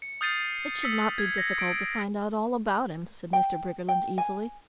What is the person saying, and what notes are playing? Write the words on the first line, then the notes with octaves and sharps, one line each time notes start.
"It should not be difficult to find out all about him," said Mr. Briggerland easily.
C#7
D#6 F6 G6 A6 C7 D#7
E6 B6 C#7
G#6
A#6
D7
G5
G5
G#5